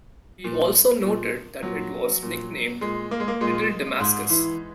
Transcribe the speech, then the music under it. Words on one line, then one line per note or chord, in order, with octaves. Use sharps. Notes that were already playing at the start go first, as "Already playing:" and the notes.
He also noted that it was nicknamed Little Damascus.
A#2
A#2
A#2 F#3
A#2
A#2 G#3
A#3
G#3
A#3
A#2 G#3
G#2
E3